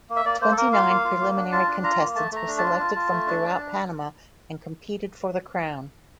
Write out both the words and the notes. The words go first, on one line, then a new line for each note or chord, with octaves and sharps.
Twenty nine preliminary contestants were selected from throughout Panama and competed for the crown.
A#3
E5
A#3 D5
A#3 C5
A4
A#3 A#4
F4 F5
A#3
F4
A#3
D4
F4 A5
D4
F4 A#5
A#3
A3 A5
A3 A#5
D4
F4 A5
F4
F4
A3
D4
D4